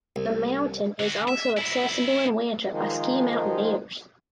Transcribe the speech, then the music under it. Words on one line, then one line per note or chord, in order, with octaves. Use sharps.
The mountain is also accessible in winter by ski mountaineers.
C2
D3 F#4
E5
F#3 E4
D#3 F3 G#3